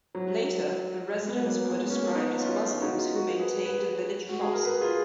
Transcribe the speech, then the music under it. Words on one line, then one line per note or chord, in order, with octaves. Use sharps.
Later, the residents were described as Muslims who maintained a village mosque.
F#3
G#3
B3
F#3 A#3
G#3 B3
A#3 C#4
B3 D#4
C#4 F4
D#4 F#4
F4 G#4
F#4 A#4
G#4 B4
G#4 B4
F#4
G#4
A#4
G#4 B4
F4 G#4